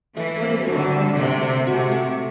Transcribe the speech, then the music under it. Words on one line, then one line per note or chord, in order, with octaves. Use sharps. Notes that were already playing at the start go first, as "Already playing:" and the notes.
"What is it, Rawlins?" he asked.
E3 A3
C4
D3 F#4
A3
C3 A3
C4
C3 F#4
A3